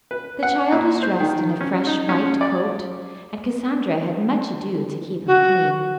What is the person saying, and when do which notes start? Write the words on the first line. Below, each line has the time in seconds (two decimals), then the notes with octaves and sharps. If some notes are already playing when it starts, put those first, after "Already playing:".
The child was dressed in a fresh white coat, and Cassandra had much ado to keep him clean.
0.11 B4
0.43 F#5
0.72 A#2
1.03 C5
1.20 D#3
1.61 C#4
1.87 D#4
2.09 C#4
2.41 D5
5.27 F#4